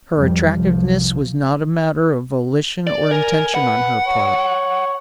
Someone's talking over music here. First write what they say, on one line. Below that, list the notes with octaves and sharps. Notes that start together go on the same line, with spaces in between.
Her attractiveness was not a matter of volition or intention on her part.
F2 G3
C2 F3
D5
A#4 G#5
B4 F#5
C#5